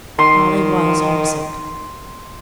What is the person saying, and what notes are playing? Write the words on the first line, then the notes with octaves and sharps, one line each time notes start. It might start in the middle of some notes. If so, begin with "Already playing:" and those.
Polly was homesick.
D#3 C6